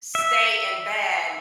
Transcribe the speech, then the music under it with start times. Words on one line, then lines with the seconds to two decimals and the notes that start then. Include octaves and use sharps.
stay in bed,
0.15 E5